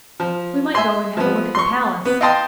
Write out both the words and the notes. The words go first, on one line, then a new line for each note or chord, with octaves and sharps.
'We might go and have a look at the Palace.'
F3
E5 G#5 C6
F3 B3
C6 C#6
B3 B4
D#5 F5 G5 A5 C6 D#6